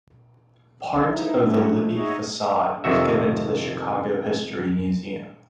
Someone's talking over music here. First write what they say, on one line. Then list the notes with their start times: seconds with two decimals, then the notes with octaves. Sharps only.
Part of the Libby facade was given to the Chicago History Museum.
0.93 C2
1.06 F3 D#4 E4
1.42 G3 A3 C#4 D4 E4 F#4
1.69 F3 G#3 A3
1.93 D#4 F#4 G#4 C#5 D#5 E5
2.84 F2 C3 D#3 F#4 E5